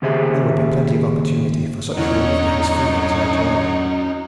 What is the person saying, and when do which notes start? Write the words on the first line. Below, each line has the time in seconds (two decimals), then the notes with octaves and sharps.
There would be plenty of opportunity for such relief to his feelings later on.
0.02 D#2 C#3 G4 G#4 C5 E5
1.97 E2 D3 F#3 C#4 D#4 C#5